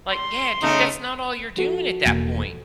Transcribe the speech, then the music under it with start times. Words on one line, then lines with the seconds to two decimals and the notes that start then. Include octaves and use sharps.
Like, "Yeah dude, that's not all you're doing at that point."
0.11 C6
0.63 C#3 A3 D#4
1.57 F3 F#4 A4
2.06 E1 A#3